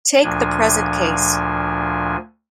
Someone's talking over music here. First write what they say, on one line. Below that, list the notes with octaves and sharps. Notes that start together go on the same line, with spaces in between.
Take the present case.
D2 A#2 F3 D4 G#5